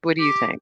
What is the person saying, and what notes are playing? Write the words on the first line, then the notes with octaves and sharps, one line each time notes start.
What do you think?
G4